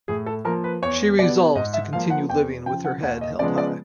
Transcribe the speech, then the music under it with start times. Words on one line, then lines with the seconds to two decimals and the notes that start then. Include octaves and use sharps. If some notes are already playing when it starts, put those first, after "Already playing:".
She resolves to continue living with her head held high.
0.08 A2 G#4
0.26 A4
0.45 F3 A#3 A#4
0.64 B4
0.82 E2 C#5
1.19 B2 G3 B3 D5
1.55 G#2 D#5
1.73 E5
1.93 F3 F5
1.96 A#3
2.10 F#5
2.29 E2 G5
2.66 C#3 G5
2.69 F3
2.85 F#5
3.02 D#2 F#5
3.21 D#5
3.39 C#3 F3 G#3 B3 D5
3.58 D5